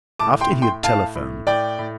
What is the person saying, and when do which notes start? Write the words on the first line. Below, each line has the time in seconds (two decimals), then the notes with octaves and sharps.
After he had telephoned.
0.19 A2 A5 D6
0.41 G5 C6
0.51 A2
0.62 G5 C6
0.84 A2 F5 A5
1.15 A2
1.47 A2 D5 G5
1.79 A2